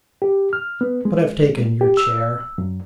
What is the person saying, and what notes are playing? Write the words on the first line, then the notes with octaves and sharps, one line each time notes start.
But I've taken your chair.'
G4
F6
B3
G#3
G4
E6
F#2